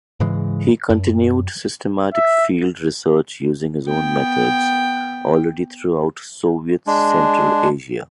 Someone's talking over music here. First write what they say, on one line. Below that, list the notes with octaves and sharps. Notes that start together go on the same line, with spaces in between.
He continued systematic field research using his own methods already throughout Soviet Central Asia.
G#2 C#3 E3 G#3
F#2
E5
B3 G5
G#3 D4